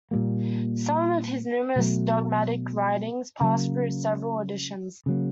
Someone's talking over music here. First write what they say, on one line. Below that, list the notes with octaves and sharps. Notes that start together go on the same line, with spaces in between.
Some of his numerous dogmatic writings passed through several editions.
A#2 G3 A#3
B2 F#3 A3
C#3 F#3 A#3
C#3 F#3 A#3